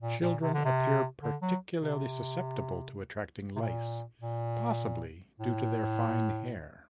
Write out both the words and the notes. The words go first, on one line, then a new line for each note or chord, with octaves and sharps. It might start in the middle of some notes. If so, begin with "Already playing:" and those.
Children appear particularly susceptible to attracting lice, possibly due to their fine hair.
A#2
A#2
C3
D3
C3
D3
F#3
C3
C3
A#2
A#2
A2